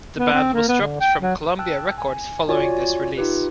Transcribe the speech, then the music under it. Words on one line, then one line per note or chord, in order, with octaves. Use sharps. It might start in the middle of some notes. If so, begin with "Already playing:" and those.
The band was dropped from Columbia Records following this release.
B3
C4
A#3
B3
D3
G5
F#3
G5 A5 E6 F#6
G#5
F4 F#4 C#5 D5 G#5
D#4 F4 G4 B4